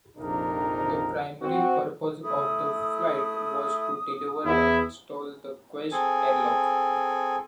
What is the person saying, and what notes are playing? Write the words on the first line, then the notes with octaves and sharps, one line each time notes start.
The primary purpose of the flight was to deliver and install the Quest airlock.
A#1 F2 C3 D4 D#4 A#4
C4 F#4
A3 E4 D#6
E2 E4
C4 G#4 A4 G#5